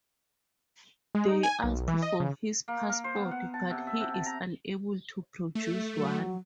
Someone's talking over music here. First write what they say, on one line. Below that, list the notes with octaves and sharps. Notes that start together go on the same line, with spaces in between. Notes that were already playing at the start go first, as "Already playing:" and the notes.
They ask for his passport, but he is unable to produce one.
G#3
D#4
G#5
B1
E3
D#5
C#3
A#3
A#4
C5
B3
F#5
A5
C3
E5
C3
A5
A#5
A3
F#3